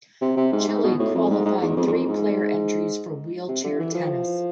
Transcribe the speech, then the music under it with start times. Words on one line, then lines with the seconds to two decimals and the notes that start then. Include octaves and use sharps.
Chile qualified three player entries for wheelchair tennis.
0.21 C3
0.37 C3
0.52 G#2
0.68 G#2
0.83 B2
0.99 A2
1.15 F2
1.30 G#2
1.46 G#2
1.61 E2
1.77 F2
1.87 E2
1.93 F2
2.08 G#2
3.48 C3
3.64 D3
3.79 E3
3.95 F3